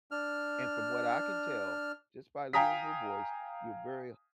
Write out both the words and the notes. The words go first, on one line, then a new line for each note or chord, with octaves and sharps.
and from what I can tell, just by hearing your voice, you're very
D4 F6
F5 G5 G#5 A#5 D#6 B6